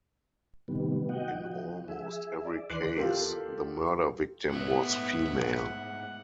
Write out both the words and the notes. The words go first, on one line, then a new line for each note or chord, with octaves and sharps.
In almost every case the murder victim was female.
A2 C3 D#3 G3 B3
F#4 D#5 F#5 G5
F3
G#4 E5
D5
D#2 E3 B4 D5 C6 F#6
F4 G4 A4 A#4
G#2 A3 B3 E5 F#5